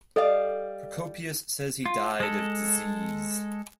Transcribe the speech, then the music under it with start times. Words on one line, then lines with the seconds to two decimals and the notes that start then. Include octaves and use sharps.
Procopius says he died of disease.
0.16 G3 A4 D5 D#5 F5
1.86 F4
2.20 G#3 A4